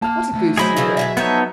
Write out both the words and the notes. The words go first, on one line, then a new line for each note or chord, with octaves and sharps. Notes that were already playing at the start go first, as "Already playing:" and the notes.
"What a goose you were."
A#3 A5 F6
D2 A3
F#3 E4 F#4 G#4 C5 D#5 B5
C#3 E3 F3 E4
B2 G3 G#3 E5
F3 B3 D#4 A4 C#5